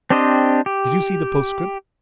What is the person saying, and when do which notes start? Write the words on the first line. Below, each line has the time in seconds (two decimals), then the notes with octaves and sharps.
"Did you see the postscript?"
0.10 C4 D4 G4 C5 D#5
0.66 G4